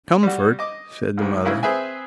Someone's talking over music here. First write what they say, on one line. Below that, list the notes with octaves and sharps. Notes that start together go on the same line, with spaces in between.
"Comfort!" said the mother.
G3 F#4
D#5 D6
C#2 G#2
G#2 C#3 E4
C4 G#4 B4 E5 G#5